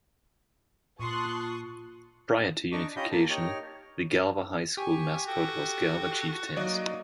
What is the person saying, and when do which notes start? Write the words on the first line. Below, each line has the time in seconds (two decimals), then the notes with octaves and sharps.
Prior to unification, the Galva High School mascot was Galva Chieftains.
0.99 A#2 F4 A5 C6 C#6 D#6 F#6
2.72 D4 D#4 C#6 D6
2.96 C#4 F4 G4 D#5 B5 G6
3.11 A#3 A5
3.30 D#4 G4 C#5 F6
4.77 G4 G#5 C#6
5.28 F#4 A4 G5
6.56 F#3 A#3 D#4 D5 D#5